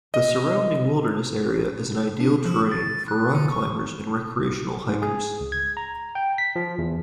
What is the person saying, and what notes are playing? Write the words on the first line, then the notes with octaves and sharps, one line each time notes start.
The surrounding wilderness area is an ideal terrain for rock climbers and recreational hikers.
D#5
D4
F3
A6
F#6
D3
C#6
G#2
G#4
C#2
G#6
A#5
G5
B6
F3
E2